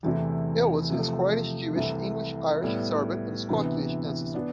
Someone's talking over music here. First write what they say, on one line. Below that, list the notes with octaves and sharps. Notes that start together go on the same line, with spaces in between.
Elwes has Croatian Jewish, English, Irish, Serbian, and Scottish ancestry.
E2 C3 E3 A3 E4
C3 F3 A3
C2 C3 E3 A3
A2 G3 B3
D2 C3 E3 B3
E3 B3 D4